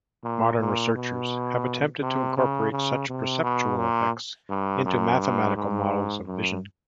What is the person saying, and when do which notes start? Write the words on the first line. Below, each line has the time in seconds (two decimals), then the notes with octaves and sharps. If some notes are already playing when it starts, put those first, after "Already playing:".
Modern researchers have attempted to incorporate such perceptual effects into mathematical models of vision.
0.24 A#2
0.60 A#2
0.95 B2
2.01 C3
2.37 C#3
2.72 C#3
3.08 C3
3.43 B2
3.78 A#2
4.50 G2
4.85 F#2
5.20 G2
5.56 G#2
6.27 F#2